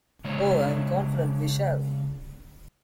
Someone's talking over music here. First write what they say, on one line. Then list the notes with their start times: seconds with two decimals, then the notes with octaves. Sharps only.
Oh, I am confident we shall.
0.24 C#3 G#3 D4 C5 C#5